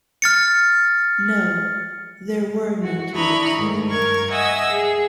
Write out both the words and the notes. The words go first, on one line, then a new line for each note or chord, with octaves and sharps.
No, there were no tears.
F6 A6 C#7
F#4
D4 E4 A#5 B5 C#6 D#6
G#2 D#3 A3
G2 A#4 C#6 G#6
D#5 E5 F#5 G#5 E6
G#4